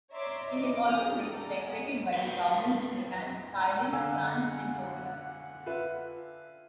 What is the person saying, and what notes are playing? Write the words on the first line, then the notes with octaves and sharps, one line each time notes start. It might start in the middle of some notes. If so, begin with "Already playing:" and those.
He has also been decorated by the governments of Japan, Thailand, France and Korea.
C#5 D5 E5 A#5 C6 D6
D#5 D6
F4 G#4 D#6 F6 G6
A4 D5 G5 A#5
G#4 D#5 F#5
B4 C5 G5 A#5
D3 F5 F#5 G#5 E6
F4 B4 E5